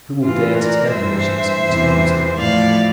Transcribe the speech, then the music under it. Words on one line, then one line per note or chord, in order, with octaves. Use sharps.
Who will dare to tell her that she must continue to love?
A2 E3 F4
A#4 D5
G2 E3 C5 E5
E2 C3 E3
A2 F3 D5 F5